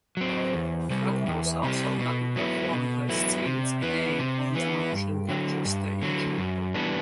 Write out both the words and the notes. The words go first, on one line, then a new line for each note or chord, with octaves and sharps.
The actors also had to perform their scenes again on the motion capture stage.
F#3 C4
E2
C3 G3
E2
C3 G3
B2
F#3 B3 E4
B2
F#3 B3 E4
C3
E3 B3
C3
E3 B3
G2
D3 F#3
G2
D3 F#3
F#2
E3 G3 B3 D4